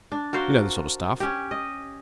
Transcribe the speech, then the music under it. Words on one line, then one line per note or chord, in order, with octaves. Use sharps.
You know the sort of stuff.
D4
F#4 A#4 C5 F5
C#4 G4
D#5